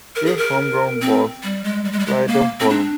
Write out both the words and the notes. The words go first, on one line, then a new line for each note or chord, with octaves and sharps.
Their home ground was Clydeholm.
A#4
G#4
A#4
C4
G3
G#3
G3
G#3
G3
G#3
A#3
C4
D4